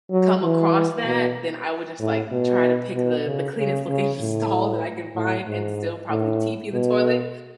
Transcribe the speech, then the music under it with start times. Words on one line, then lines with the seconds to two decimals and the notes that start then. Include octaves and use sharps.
come across that, then I would just like try to pick the the cleanest looking stall that I can find and still probably TP the toilet,
0.11 F#3
0.43 E3
1.06 B2
2.00 A2
2.32 B2
2.95 B2
3.26 C#3
3.58 C#3
3.89 C#3
4.21 A2
5.15 A2
5.47 G#2
6.10 A2
6.73 B2